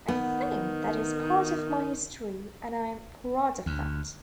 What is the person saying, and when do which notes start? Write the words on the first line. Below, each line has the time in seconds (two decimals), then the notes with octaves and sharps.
I think that is part of my history and I am proud of that.
0.08 D#3 B3
3.66 D2